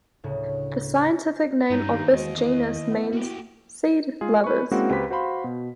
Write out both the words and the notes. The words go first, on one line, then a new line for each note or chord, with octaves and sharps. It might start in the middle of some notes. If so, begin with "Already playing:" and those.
The scientific name of this genus means "seed-lovers".
D2 A2 C#3
G2 G#3 B3 C#4 D#4 E4
D#2 G4 F5 A#5
E2 G#3 F#4 D#5
E4
B3
F#4 G4
G#3 F4 G#4
B4 C#6
G#3 A#3 C4 C#4 E4 F#4
C#2 G4 B4 C5 B6
F#4 C5 F5 B5 C6
B2